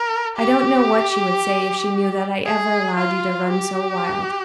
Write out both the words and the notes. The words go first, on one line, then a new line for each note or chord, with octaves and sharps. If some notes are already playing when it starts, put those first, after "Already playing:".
I don't know what she would say if she knew that I ever allowed you to run so wild.
Already playing: A#4
G4
G#4
F4
G4